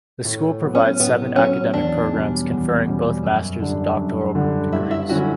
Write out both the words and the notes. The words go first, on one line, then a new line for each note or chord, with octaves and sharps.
The school provides seven academic programs conferring both masters and doctoral degrees.
A2
F#3 B3
C#4
A2 B3
F#3 B3 C#4
E2 D4
B2 G3 C#4
E2
B2 G3 C#4
F#2
D3 G3 D4
F#2
D3 G3 D4
G2 E4
E4
D3 F#3 C#4 E4 F#4